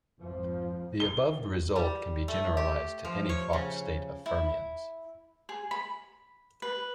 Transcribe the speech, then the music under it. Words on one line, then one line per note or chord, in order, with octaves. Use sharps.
The above result can be generalized to any Fock state of fermions.
G#1 F2 F3
G7
G3
A3
G4
F3
C#5
C#3
E4
G#4
B5
B4